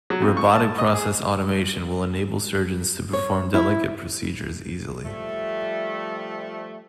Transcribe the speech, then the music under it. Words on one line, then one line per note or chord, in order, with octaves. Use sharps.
Robotic process automation will enable surgeons to perform delicate procedures easily.
F#3
F2
C#6
A5
D#5
G#4
C#5
E4
F3 G3 A3